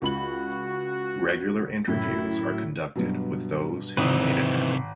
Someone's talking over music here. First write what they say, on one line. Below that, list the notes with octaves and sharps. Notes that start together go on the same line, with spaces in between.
Regular interviews are conducted with those who made it happen.
C#2 F#4 B5 F#7
F#2 A2 E4
G2 B2 F#3
G#1 C3 E3 C4 D#4 B4 D#6